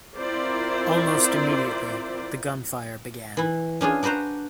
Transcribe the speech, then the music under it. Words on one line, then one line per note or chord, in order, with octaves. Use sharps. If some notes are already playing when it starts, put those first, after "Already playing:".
Almost immediately, the gunfire began.
C4 E4 F4 A#4 C5 D5
E3 E4
C#4 D4 F4 G#4
D4 F#4 B4 C5 A#5